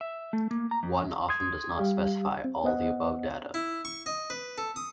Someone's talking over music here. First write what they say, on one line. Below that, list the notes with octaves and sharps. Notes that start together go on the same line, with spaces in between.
One often does not specify all the above data.
E5
A3
A#3
A#5
F2
C6 D#6 G#6
G3 G4 F5
C4
B3 C5 D#5 F#5
E4
C#6
D#5
B4
A4
D#6